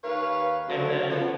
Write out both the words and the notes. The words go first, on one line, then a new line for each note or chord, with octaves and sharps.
And then,
D#2 B4 C#5 F5
C#3 F#3 A3 A4 A#4 C5
F3 B3